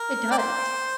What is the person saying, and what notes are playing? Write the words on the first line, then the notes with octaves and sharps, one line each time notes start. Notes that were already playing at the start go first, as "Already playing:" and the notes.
It does.
Already playing: A#4
D5
C5